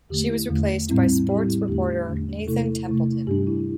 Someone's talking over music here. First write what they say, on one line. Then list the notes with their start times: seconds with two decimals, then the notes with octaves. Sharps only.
She was replaced by sports reporter Nathan Templeton.
0.09 E2 D3 A3 G4
0.29 E4
0.49 E2 D3 A3
0.89 A2 G3 C4 E4
1.28 A2 G3 C4 E4 G4
1.49 E4
1.68 E2 D3 A3 D4 G4
2.08 E2 D3 A3 D4
2.48 C3 A3 E4 A4
2.87 C3 A3 E4
3.27 G2 G3 D4 G4
3.47 E4